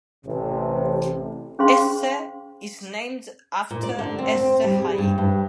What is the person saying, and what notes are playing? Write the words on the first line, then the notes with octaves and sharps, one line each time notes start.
Este is named after Este Haim.
A1 C3
C#4 G#4 C5 F5 C6
A#2
D5
D3
C4
C4
G3
G#4
G2
G2